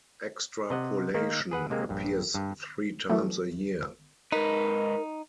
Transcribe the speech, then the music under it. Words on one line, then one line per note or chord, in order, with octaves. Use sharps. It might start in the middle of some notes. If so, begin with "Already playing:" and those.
"Extrapolation" appears three times a year.
C3 D#5 F#5
D#3 A#3 D#4
G#4 B4 F#5
C3 G#3 A#3 C4
A#1 G2
G2
E3 F#3 A3
G#2 D#4 A#4 B4